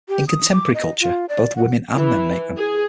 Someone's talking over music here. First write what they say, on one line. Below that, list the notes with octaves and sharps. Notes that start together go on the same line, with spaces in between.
In contemporary culture, both women and men make them.
G4
D#6
D6
D#5
F4
D5
F#5
E3
G#4